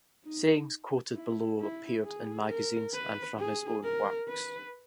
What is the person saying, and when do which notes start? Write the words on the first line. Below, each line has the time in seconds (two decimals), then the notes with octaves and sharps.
Sayings quoted below appeared in magazines and from his own works.
0.25 D#4
1.15 E4
1.60 E4
2.05 G#4
2.49 A#4
2.94 B4
3.38 G#4
3.84 A#4
4.29 B4